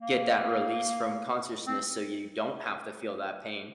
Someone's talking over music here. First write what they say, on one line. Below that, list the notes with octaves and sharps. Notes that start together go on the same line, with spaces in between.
get that release from consciousness, so you don't have to feel that pain,
A#3
C4